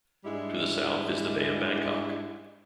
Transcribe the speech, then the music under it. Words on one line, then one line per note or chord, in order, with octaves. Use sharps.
To the south is the Bay of Bangkok.
G#2 G3 G#3 D4 E4